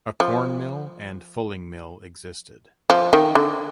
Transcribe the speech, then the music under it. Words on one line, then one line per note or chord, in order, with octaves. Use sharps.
A corn mill and fulling mill existed.
F3
F3
D#3
D3